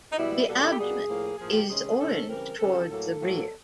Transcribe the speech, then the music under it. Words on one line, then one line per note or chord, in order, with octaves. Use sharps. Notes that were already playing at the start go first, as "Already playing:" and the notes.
The abdomen is orange towards the rear.
D#4
B2 G3 B3 E4
B2 G3 A#3 A4
G4
B2 G3 A#3 G#4
A2 F3 A#3
A2 F3 A#3 G#4
G4
C3 D#3 G#3 C#4 G#4
C3 D#3 G#3 C#4 A4
C#3 E3 G3 C4 A#4
C#3 E3 G3 C4 A4
A2 F#3 A#3 A4
A2 F#3 A#3